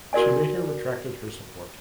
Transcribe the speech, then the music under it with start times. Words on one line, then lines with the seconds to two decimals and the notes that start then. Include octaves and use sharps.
She later retracted her support.
0.13 F#4 A#4 D5 G#5